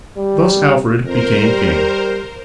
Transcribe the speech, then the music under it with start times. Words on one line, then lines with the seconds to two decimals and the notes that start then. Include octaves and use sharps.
Thus Alfred became king.
0.17 G3
1.03 F2 A#4 C5
1.43 G3